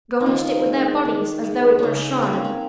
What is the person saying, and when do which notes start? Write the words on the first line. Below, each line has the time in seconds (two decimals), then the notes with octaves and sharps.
Garnished it with their bodies as though it were a shrine.
0.21 D#4
0.26 D#3 F4
0.66 G#3
1.05 D#3
1.44 G#3
1.79 C#3 C#4 D#4
2.22 G3 A#3 C4
2.33 C#4
2.45 C4